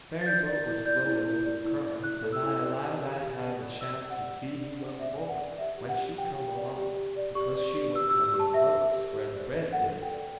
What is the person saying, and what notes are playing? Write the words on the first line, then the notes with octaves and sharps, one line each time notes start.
The ferryboat was floating with the current, and I allowed I'd have a chance to see who was aboard when she come along, because she would come in close, where the bread did.
A6
D5 G6
D5 A6
E4
D5 G6
E4
E4
D5
E4
D5
E4 F#6
A4
E6
E4
D5
G4
G4
G4
D5
D5
D5 E6
G4
F#5
D5
D5
D5
D5
D5 E5
D5
F#5
D5
G4 E5
G4
F#5
G4
G4 G5
G4
D5
G4
G4
D5
G4 C#6
D5
G4
G4 E6
E6
G4
E6
G4
A5
B4 E5
B4
G4
G4
D5
B4
A4 F#5
A4
G5
D5